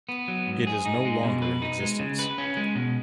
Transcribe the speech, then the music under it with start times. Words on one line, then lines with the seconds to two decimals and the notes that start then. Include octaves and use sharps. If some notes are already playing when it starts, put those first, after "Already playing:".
It is no longer in existence.
0.09 B3
0.28 F#3
0.47 G#2
0.67 G#4
0.85 D#4
1.05 G#3
1.23 B2
1.42 B4
1.62 D#4
1.80 G#3
1.99 C#3
2.19 B4
2.38 C#4
2.57 G#3
2.75 B2